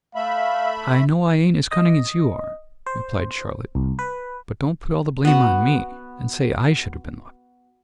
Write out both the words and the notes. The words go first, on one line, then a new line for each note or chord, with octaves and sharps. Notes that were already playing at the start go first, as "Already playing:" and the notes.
'I know I ain't as cunning as you are,' replied Charlotte; 'but don't put all the blame on me, and say I should have been locked up.
A3 E5 F5 B5
D#5
C5
C2
B4
B3 F#4